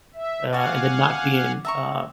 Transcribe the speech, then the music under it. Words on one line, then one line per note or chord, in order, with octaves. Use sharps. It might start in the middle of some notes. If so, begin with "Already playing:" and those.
uh, and then not being, uh
E5
F#4 D5 F5 F#5 G#5
E5 A#5 C#6